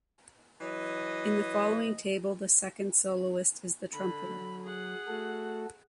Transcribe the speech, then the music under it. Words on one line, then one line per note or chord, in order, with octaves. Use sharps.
In the following table, the second soloist is the trumpeter.
E3 F#3 D#5
D3 B5
F#3
G#4 F#5
A3 F#4 A4